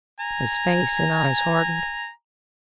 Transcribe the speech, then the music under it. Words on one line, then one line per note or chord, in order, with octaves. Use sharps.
His face and eyes hardened.
G#5 A#5